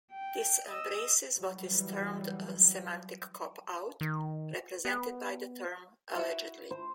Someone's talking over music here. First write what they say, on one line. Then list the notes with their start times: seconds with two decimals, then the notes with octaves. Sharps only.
This embraces what is termed a "semantic cop-out", represented by the term "allegedly".
0.12 G5
0.68 D#5 E6
1.38 E3 F#3 G3
4.01 D#3
4.85 B3
6.16 E4 F#4 E5
6.71 C5